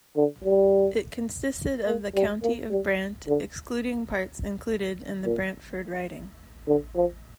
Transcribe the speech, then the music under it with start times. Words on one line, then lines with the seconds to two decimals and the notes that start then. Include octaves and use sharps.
It consisted of the County of Brant, excluding parts included in the Brantford riding.
0.16 D3
0.44 G3
1.87 A#3
2.15 G3
2.43 A#3
2.71 G3
3.28 D3
5.26 A#2
6.67 D3
6.96 F3